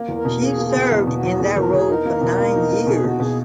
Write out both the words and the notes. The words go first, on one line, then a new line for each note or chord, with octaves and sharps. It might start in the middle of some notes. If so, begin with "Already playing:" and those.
She served in that role for nine years.
Already playing: A#3
E2
A#4
B2
A#3 G#4
A#3
G#4
B2
E2
B2
F#4
E2
B2 G#4
E2 A#4
E2 G#4
D#4 A#4
A#3
B2
A#3
D#4
A#3
B2 G#4
B2 F#4
B2 G#4